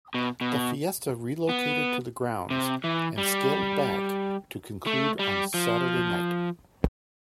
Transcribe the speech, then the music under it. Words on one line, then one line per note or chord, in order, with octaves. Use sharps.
The Fiesta relocated to the grounds and scaled back to conclude on Saturday night.
B2
B2
B3
C3
E3
G3
A3
G3
F3